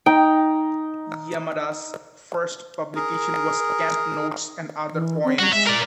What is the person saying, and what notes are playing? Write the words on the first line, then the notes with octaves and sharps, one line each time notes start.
Yamada's first publication was Camp Notes and Other Poems.
D#4 G5
G#4 A#4
E3
C4
G3 F#4 C#5
G#3 E5
A#4 D5